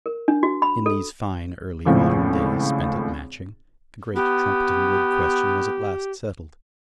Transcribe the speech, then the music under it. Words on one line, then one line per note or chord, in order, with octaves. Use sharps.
In these fine early autumn days spent at Matching, the great Trumpeton Wood question was at last settled.
A#4
D4
F#4
B5
A4
G#1 C#2 A2 F3
B3 G4